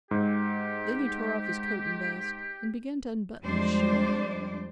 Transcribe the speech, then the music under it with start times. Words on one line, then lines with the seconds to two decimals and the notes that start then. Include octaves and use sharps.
Then he tore off his coat and vest, and began to unbutton his shirt.
0.11 G#2 G4
3.43 F2 G3 G#3 D4 C5 D5